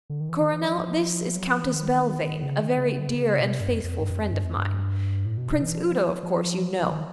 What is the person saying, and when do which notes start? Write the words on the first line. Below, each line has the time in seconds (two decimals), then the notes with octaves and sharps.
Coronel, this is Countess Belvane, a very dear and faithful friend of mine. Prince Udo, of course, you know.
0.10 D3
0.20 D#3
0.29 E3
0.41 D#3
0.53 E3
0.65 F3
1.36 F#3
1.48 F3
1.60 E3
1.72 D#3
2.42 C#3
2.60 D#3
2.77 C#3
2.86 D3
2.92 C#3
3.00 D3
3.07 C#3
3.14 D3
3.20 C#3
3.40 B2
3.49 C3
3.60 G2
3.73 F2
3.84 F2
4.01 G2
4.10 F#2
4.20 F2
4.31 G2
4.44 F2
4.56 G2
5.26 A2
5.37 B2
5.50 C3
5.62 E3
5.79 F3
5.97 F#3
6.05 F3
6.23 F3
6.69 F#3
6.80 F3
6.91 D#3